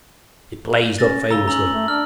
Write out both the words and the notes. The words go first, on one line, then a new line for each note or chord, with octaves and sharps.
It blazed up famously.
C#4 A6 A#6
C#3 A#5 E6 G7
C#4 A#5 E6 F#7
A3
D4 F6